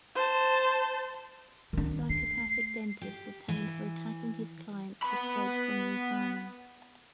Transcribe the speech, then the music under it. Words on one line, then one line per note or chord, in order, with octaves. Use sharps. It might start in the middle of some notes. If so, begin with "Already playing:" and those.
A psychopathic dentist detained for attacking his clients escapes from the asylum.
C5 A5
D#3 D4
A3 C7
G4
E3
B3 B5